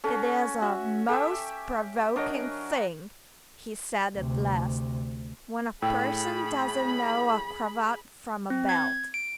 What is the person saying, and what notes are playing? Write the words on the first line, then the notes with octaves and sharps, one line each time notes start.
'It is a--MOST--PROVOKING--thing,' he said at last, 'when a person doesn't know a cravat from a belt!'
C#4 F#4 A4
F#4 E5
G4 A4 E5
F#3 D4 A#4 C#5 D#5
D2 C3
A2 G#4 G5 B5 E6
C4
G#6
D7